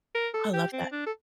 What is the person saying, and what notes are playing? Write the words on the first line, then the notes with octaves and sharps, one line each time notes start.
I love that.
A#4
A4
G4
C4
D4
A4